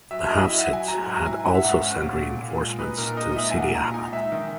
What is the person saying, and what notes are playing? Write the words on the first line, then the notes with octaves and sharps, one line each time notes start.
The Hafsids had also sent reinforcements to Sidi Ahmed.
F#3 E5
E4 D#5
E4 E5
F#5
F#3 G#5
F#3 A#5
G#2
A#5
E4 G#5
E4 F#5
E5
G#2 F#5
C#4
A#2
A#2
A#2
G#3
D#4 B4
A#2 A#4
D#4 D#5
D#5
G#3 E5
G#5
A#2 F#5
A#2 A#5
D#4 G#5
G#3 E5
D#3